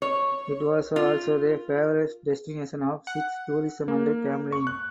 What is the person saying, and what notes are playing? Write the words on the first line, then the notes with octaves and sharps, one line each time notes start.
It was also the favorite destination of sex tourism and gambling.
C#5
F4
F#5
A#3
C#6
F#6